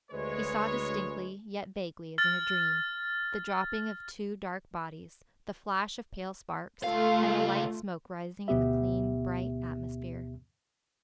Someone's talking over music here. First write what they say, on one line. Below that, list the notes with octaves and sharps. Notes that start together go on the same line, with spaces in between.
He saw distinctly, yet vaguely as in a dream, the dropping of two dark bodies, the flash of pale sparks, and a light smoke rising in the clean, bright atmosphere.
D2 G#3 B4 C#5
F6 A6
C#2 A3 F4 F5
D2 B2 B3 G4 E5